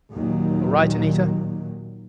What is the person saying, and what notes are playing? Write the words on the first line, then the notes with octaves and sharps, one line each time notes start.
"All right, Anita?"
D#2 A#2 D#3 F#3